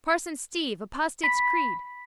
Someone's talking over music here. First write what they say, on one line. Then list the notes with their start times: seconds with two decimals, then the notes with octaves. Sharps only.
Parson Steve, apostates' creed!
1.24 B5